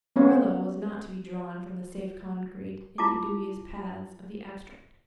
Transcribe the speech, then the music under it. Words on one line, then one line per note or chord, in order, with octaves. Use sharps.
Marilla was not to be drawn from the safe concrete into dubious paths of the abstract.
B3 C#4 C#5 F5
E4 F4 A5 D6